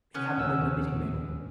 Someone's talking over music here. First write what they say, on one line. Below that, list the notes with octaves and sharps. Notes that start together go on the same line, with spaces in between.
"He had not even a knitting-needle."
B3 C#4 B4
A#1 D#2 E6